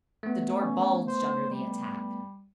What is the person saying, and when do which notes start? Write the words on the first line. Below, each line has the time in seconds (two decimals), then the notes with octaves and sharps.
The door bulged under the attack.
0.23 A3 B3
0.60 C#4
1.08 C5
1.50 G3